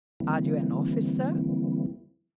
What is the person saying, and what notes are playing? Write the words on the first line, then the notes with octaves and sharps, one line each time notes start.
"Are you an officer?"
D3 E3 G3 A#3 C4 E4